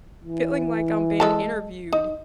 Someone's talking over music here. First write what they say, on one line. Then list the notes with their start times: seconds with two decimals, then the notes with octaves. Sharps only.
feeling like I'm being interviewed
0.24 E3
1.20 G#3 A4 A5
1.93 D#4